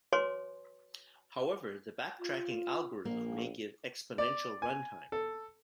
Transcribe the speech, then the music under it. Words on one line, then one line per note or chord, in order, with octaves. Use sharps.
However, the backtracking algorithm may give exponential runtime.
F#4 B4 C#5 G#5 C6 D6
F4
A#1 A#3
D5
G#5
A4